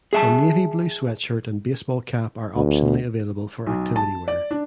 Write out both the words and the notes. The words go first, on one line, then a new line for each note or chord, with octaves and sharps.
A navy blue sweatshirt and baseball cap are optionally available for activity wear.
G#4 E5 A5
D2
B1
A5
D5
D4